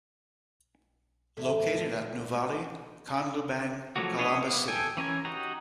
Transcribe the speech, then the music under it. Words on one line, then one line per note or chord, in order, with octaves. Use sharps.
Located at Nuvali, Canlubang, Calamba City.
E2 A2 A3
D2
C#4
F3 F#3 A3 A#3 F#4
D4 E4 G#4 C#5 D#5
A#3 B3
A4 G5 G#5
E3 C#4 A#4 G#5
D#4 F#4 G4 A#5